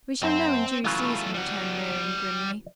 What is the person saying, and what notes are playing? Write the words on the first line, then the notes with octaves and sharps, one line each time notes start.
"We shall know in due season," returned Miriam grimly.
F#2 C4 C5
C#3 E3 F#3 A3 F4
G3 F#5